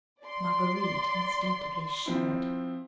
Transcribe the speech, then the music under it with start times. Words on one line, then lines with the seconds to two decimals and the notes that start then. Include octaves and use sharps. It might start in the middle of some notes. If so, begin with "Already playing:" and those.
Marguerite instinctively shivered.
0.22 D5 C6
2.06 F3 C4 E4